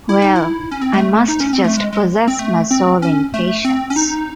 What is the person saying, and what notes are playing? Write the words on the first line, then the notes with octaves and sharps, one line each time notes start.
Well, I must just possess my soul in patience.
E4
D#4
E4
C#4
C4
G#3
A3
D#4
C#4
C4
A3
G#3
G#3
C4
A3
C4
C#4
A3
C4
C#4
D#4